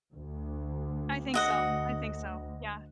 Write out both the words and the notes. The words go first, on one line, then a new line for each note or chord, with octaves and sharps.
I think so. I think so, yeah.
D2
F#4 D#5 F#5